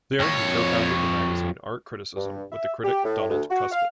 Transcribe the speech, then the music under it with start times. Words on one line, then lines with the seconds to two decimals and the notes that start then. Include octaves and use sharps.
There he co-founded the magazine Art Criticism with the critic Donald Kuspit.
0.20 F2 C#5
2.16 G2
2.52 E5
2.84 G4
3.05 A2
3.29 D2
3.50 F#4
3.72 F5